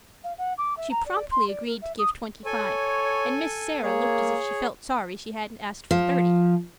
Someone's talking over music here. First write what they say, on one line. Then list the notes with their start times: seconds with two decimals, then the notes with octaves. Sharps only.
She promptly agreed to give twenty-five and Miss Sarah looked as if she felt sorry she hadn't asked for thirty.
0.24 F5
0.38 F#5
0.58 D6
0.77 E5
0.91 A#5
1.06 D5
1.31 C6
1.48 D5
1.66 A#4
1.82 E5
1.99 D#6
2.46 A4 C#5 G#5
3.83 A#3 G#4 C#5
5.91 F3